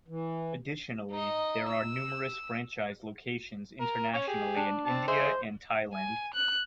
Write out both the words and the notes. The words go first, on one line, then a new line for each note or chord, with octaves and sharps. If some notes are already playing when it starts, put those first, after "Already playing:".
Additionally, there are numerous franchise locations internationally in India and Thailand.
E3
D#4 D#5
E6
A#4
C#4 C#5
G4 G#4
D4
C4 A5
G#4 C5 D#5 E5
G#5
F#6